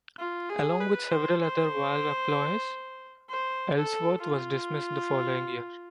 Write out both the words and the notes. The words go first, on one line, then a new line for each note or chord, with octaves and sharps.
Along with several other Valve employees, Ellsworth was dismissed the following year.
F4
G#4
B4
C5
C5
C5
A4
F4